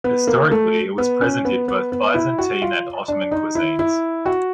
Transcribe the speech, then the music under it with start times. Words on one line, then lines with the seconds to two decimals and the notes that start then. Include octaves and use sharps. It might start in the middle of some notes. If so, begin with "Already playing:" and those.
Historically it was present in both Byzantine and Ottoman cuisines.
0.04 B3
0.27 A#3
0.51 A3
0.98 B3
1.21 C#4
1.45 B3
1.68 B3
1.92 B3
2.14 E4
2.38 F#4
2.62 F4
3.08 D4
3.31 D#4
3.55 E4
3.79 E4
4.26 F#4